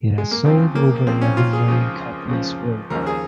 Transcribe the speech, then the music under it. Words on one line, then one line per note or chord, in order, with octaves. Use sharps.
It has sold over eleven million copies worldwide.
G#3
A#3
C#2 C#3 F3 C4
A#3
C#2 C#3 F3 C4
C#4
F4
G#4
C#2 C#3 F3
C#2 C#3 F3
D#2 C#3 F3 A#4
G#4